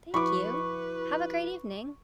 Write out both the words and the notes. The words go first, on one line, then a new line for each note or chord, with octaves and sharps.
Thank you. Have a great evening.
F3 E4 F#4 B4 B5 C#6 D6